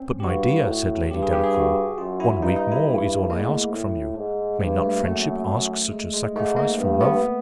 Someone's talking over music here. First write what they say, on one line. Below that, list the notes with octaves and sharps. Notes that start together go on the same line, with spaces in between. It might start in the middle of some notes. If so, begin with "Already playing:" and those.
"But, my dear," said Lady Delacour, "one week more is all I ask from you--may not friendship ask such a sacrifice from love?"
Already playing: C4 C#4
G4
G2 F#4
A2
G2 G4
G#4
G4
G#4
F#4
F#2 F4
E4
G2 D#4
D#4
E4
G2
G#2 A#3
A3
A2
G#2
G2 G#3
A3
A#3
F#2 A3
G#3
G#3
G#2 A3
A#3
G2 B3
B3